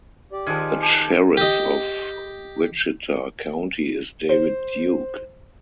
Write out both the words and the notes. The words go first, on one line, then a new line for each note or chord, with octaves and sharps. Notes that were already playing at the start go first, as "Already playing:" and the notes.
The Sheriff of Wichita County is David Duke.
G4 D5
D#3 F3 G#3 G#5
G4 A5
G4 D#5
C5